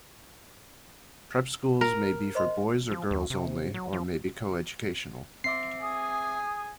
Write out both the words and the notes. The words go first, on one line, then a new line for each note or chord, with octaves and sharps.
Prep schools may be for boys or girls only, or may be co-educational.
A#4
C5 D#5 C6
F3
D#2
C3
F#3
F3
C4 E5 C6 D6 C7
G#4 G#5 D#6